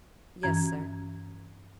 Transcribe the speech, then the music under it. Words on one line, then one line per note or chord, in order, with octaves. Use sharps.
"Yes, sir."
G2 E3 C#4 F#4 A#5 G#6